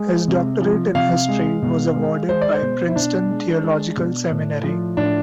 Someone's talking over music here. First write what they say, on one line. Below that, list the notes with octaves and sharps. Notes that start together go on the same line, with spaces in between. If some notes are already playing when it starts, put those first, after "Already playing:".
His doctorate in history was awarded by Princeton Theological Seminary.
Already playing: G#3
C3
F3
C3 F5
G#3
B2
G#3
G#3 C5
D5
C5
B2
E4
B2 D4
G#3
G#3
B2
A2
F3
A2 D4